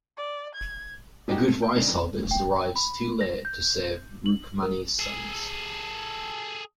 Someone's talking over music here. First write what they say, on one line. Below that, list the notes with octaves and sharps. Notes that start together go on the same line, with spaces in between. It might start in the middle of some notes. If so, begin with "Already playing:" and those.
A good rice harvest arrives too late to save Rukmani's sons.
D5
G#6
G3 G#3 D#4 F#4 G4
A3
G5
C#3 G#3 C4 D4 D#4
F2
G5
B5
A#6
G6
F#7
A#4
G#4 A4